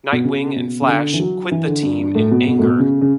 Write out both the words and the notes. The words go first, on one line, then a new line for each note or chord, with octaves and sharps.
Nightwing and Flash quit the team in anger.
B2
C#3
B2
C#3
D3
E3
F#3
E3
D3
G2
G2
A2
B2
B2
A2
B2
C#3
C#3